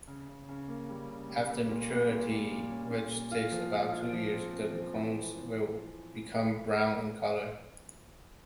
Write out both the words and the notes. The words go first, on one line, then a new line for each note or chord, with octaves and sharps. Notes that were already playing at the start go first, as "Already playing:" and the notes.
After maturity, which takes about two years, the cones will become brown in color.
C#3
C#3
C#3
A#3
G3
C#3
G3
A#3
A#2
G3
A#2
G3
A#2
C#4
A#2
A#2
F4
F3
F4
F4
F3
C4
C4
F3
E3